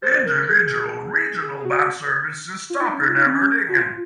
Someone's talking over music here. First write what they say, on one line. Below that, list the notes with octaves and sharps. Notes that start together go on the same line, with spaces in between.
Individual Regionalbahn services stop in Emmendingen.
C5
A#4
G#4
G#4
G#4
F#4
F4
D#4
C#4
D#4
F4
D#4
C4
C#4
F#4
F4